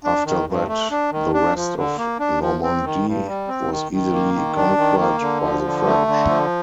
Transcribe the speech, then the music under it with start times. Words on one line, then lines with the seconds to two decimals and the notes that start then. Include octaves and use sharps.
After that, the rest of Normandy was easily conquered by the French.
0.04 D4
0.25 D#3
0.47 G2
0.68 A3
0.91 D4
1.11 D#3
1.34 D4
1.55 F3
1.76 D3
1.98 A#3
2.19 D4
2.40 F3
2.63 C4
2.84 D#3
3.05 G2
3.27 G3
3.48 C4
3.71 D#3
3.92 D#3
4.13 A#3
4.34 D#3
4.56 D4
4.77 D#3
4.99 A#3
5.21 D3
5.43 F3
5.64 D3
5.86 A3
6.07 D3
6.28 F3